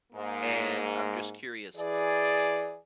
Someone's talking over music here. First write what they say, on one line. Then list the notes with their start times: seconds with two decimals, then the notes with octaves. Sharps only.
and I'm just curious,
0.13 G#2 A#3
1.77 E3 G#4 D5